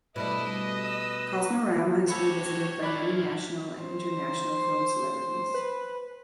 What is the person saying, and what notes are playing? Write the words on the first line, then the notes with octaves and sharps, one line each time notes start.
Kosmorama has been visited by many national and international film celebrities.
B2 G3 A3 D4 E4 B4 D#5 B5
E6
F#4 G4 A4 C5 C#5 A5 B5 E6
F3 E4 D5 D#5 B5 F#6 B6
C5
B4